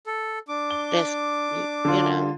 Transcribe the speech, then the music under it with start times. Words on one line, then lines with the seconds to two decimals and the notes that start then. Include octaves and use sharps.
that's y you know?
0.07 A4
0.48 D4 D6
0.70 G7
1.85 D3 F4